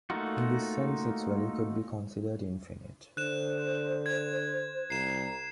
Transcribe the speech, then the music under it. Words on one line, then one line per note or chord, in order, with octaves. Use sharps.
In this sense, its value could be considered infinite.
A3 A#3 D#4 F4 F#4
D3 C5 F#6 E7
G#6
C2 A#5 C7 E7